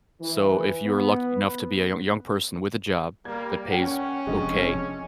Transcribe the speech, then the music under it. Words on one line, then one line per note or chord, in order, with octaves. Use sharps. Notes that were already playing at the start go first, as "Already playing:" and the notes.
So, if you're lucky enough to be a yo young person with a job that pays okay,
E3
B3
G3 A#3 G#6
C#4 F#5 G5
F1 F2 G#3 D4 D#5